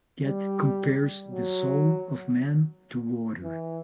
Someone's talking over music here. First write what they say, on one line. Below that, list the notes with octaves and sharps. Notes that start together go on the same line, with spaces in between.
Goethe compares the soul of man to water.
G3
F#3
E3